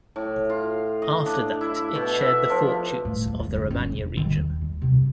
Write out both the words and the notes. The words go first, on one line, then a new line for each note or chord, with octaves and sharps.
After that it shared the fortunes of the Romagna region.
A2
F4
D#5
D4
E4
B2
E5
F3
A2
E2
E2
G1
C#4
E1
D#3
D#2
D#4
C3
D4